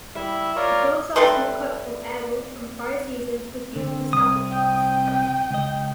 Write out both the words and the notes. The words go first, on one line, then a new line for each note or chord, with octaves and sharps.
The full-sized mock-up of Airwolf from prior seasons was used for static shots.
G3 E4 E5
F4 A#4 C#5 D5
G3 A3 B4 C6
D3 C4
C2 D#6
G5
C#2 D#5